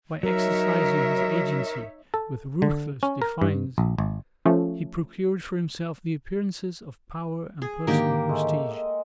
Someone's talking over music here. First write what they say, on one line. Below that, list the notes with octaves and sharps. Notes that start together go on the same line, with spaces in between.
By exercising his agency with ruthless defiance he procured for himself the appearances of power and personal prestige.
F#3 D#4 A#4 C#5 E5
A4
D3
C#4
A#4
G2
A#1
G#1
F3 A3 C#4
G#4
G#2 D3 D#3 A#3 G4
G#3 A3
D#5